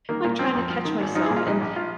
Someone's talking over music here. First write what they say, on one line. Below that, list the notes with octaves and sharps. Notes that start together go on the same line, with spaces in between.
like, trying to catch myself and
D#3 A#3
A#2 A#3
F3 C4
F2
F3
D#3
G#1
F3 D#4
A#2 G#4
F4
A#1 D#4
A#1
F4